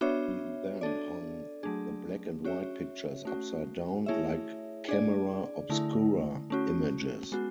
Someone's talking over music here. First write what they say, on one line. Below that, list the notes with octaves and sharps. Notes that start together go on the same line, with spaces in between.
He then hung the black-and-white pictures upside down, like camera obscura images.
B3 D4 F#4 C#5 E5
D4 A4 D5
F#3 A3 D4 G#4
C#4 F#4 C#5 E5
A3 C#4 F#4
A3 E4 G#4 C#5 E5
D4 G#4 D5
D3 A3 E4
A3 C#4 F#4
G#3 B3 F#4